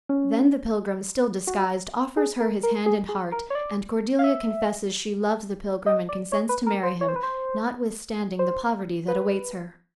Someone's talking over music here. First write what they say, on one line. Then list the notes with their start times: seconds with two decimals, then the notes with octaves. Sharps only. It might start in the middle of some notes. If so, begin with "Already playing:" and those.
Then the pilgrim, still disguised, offers her his hand and heart and Cordelia confesses she loves the pilgrim and consents to marry him, notwithstanding the poverty that awaits her.
0.09 C#4
1.47 F#4
2.17 G#4
2.40 A#4
2.63 A#4
2.86 G#4
3.09 G#4
3.32 A#4
3.50 C#5
3.55 D5
4.19 F5
4.24 E5
5.86 D#5
6.09 D5
6.32 C#5
6.49 B4
6.67 A#4
6.83 C5
7.01 C#5
7.08 C5
7.16 B4
7.23 C5
8.39 C5
9.08 B4